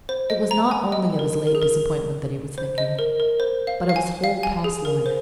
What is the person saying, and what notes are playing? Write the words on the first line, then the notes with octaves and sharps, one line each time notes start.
It was not only of his late disappointment that he was thinking, but of his whole past life.
C5
D#5
A#5
G#5
D#5
A#4
A#4
G#4
A#4
C5
D#5
A#4
A#4
C5
F5
F5
G#5
F5
G#5
G#4
A#4
C5